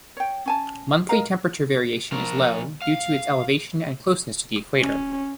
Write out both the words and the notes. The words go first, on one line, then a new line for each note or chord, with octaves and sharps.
Monthly temperature variation is low, due to its elevation and closeness to the equator.
C#5 G5
C#4 G#5 A5
A#4 D#5 F5 A#5
F3 A#4
F5
C#4